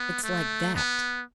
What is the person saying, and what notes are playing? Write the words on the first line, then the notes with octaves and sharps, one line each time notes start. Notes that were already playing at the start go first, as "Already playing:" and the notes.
It's like that.
Already playing: B3
A3
B3